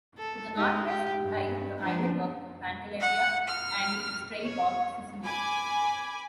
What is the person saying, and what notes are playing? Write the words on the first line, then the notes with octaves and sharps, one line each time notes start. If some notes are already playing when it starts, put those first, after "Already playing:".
To the northwest lie the island of Pantelleria and the Strait of Sicily.
A4
G#3 D#4 G4
G4
G2
F3 D4
F#5
F6
C#5
G#5 B5 D6